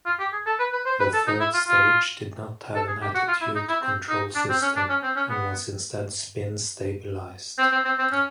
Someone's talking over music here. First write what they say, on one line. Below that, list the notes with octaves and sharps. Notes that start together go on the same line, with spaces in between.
The third stage did not have an attitude control system, and was instead spin-stabilised.
F4
G4
G#4
A4
B4
B4
C5
B4
A4
D#4
E4
F4
F4
A4
G#4
G4
F#4
F4
E4
D#4
E4
C4
D#4
D4
C4
C#4
D4
C#4
C4
C#4
B3
C4
C4
C4
C4
C#4